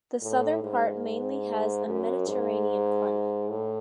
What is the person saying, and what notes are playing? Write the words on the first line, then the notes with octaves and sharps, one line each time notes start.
The southern part mainly has a Mediterranean climate.
A2
G#2
F#2
G#2
A2